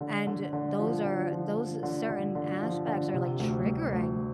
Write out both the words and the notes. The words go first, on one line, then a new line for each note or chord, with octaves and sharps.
and those are those certain aspects are, like, triggering.
D3
D3
D3
F3
D3
F3
D3
D3
D3
D3
F3
D3
C3
D2
G3
D2